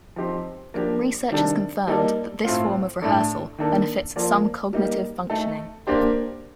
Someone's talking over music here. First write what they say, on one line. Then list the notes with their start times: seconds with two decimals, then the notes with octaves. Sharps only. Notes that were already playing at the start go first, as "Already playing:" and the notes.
Research has confirmed that this form of rehearsal benefits some cognitive functioning.
0.16 F3 C4 D#4 G4 C5
0.74 F3 A#3 D4 G4
1.30 C3 D#3 G3 D4 A4
1.87 G3 A#3 D#4 A4 D5
2.44 A2 A3 C4 F4
3.02 A2 A3 D4 A4
3.58 D#3 A#3 D4 A4
4.16 F3 A#3 F4 A4 D5
4.73 G3 A#3 D#4 G4
5.30 A3 D#4 A4
5.87 A#3 D4 G4 C5